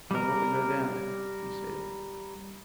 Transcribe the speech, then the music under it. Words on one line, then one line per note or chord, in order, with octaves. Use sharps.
"No water go down," he said.
G3 A#4